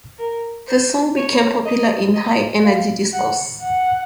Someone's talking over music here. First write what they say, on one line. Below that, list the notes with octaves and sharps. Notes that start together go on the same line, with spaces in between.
The song became popular in High Energy discos.
A#4
C5
C#5
D#5
D#5
F5
F#5
F#5